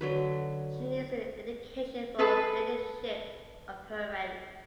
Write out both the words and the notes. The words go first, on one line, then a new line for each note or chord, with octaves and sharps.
She needs an education for leadership of her race.
D3 F#3 B4
G#4 A4 B4 A5